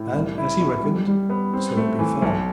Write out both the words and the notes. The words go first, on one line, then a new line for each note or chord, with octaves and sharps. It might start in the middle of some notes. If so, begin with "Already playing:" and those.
And as he reckoned so it befell.
Already playing: A2
C2
E4
B2
G3
G3
B3
C4
A3
E3
B1